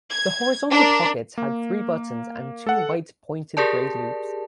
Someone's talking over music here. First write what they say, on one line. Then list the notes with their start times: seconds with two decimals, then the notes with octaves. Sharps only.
The horizontal pockets had three buttons and two white pointed braid loops.
0.11 G#6
0.70 D4 A#4
1.38 A#3
2.67 A4 F#5
3.57 G4 G#4 A#4 D5 A5